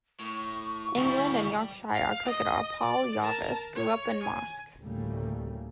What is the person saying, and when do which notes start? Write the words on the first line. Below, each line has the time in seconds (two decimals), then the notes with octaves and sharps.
England and Yorkshire cricketer Paul Jarvis grew up in Marske.
0.20 A2 C#6
0.97 D2 G3 E4
1.94 F5
2.26 D#5
2.82 D5
3.19 A#4 A5
3.75 C#5
4.20 G#5
4.80 D2 A2 C#3 G3 A3 A#3